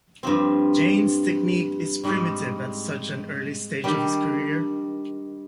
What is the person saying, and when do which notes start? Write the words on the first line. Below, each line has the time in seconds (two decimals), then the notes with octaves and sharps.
James' technique is primitive at such an early stage of his career.
0.23 G2 F3 C4
2.04 G#2 G3 C4
3.84 D#3 G3 D4 G4